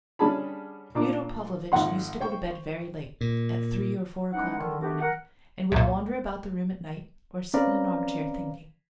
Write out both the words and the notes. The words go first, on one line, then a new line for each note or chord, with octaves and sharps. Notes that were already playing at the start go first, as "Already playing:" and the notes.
Fyodor Pavlovitch used to go to bed very late, at three or four o'clock in the morning, and would wander about the room at night or sit in an arm-chair, thinking.
D3 G3 C#4 G#4 A5 B5
A#2 D4 D6
G#1 F2 F#5 C6
C5 G5 C#6
A#2
E3 G#3 C#4 D#4 F#5
D3 D#3
A3 B3 D4 F#4 G4
A#4 F#5
C2 F#2 A#2
C4 C#4 B4 D5 F5 A#5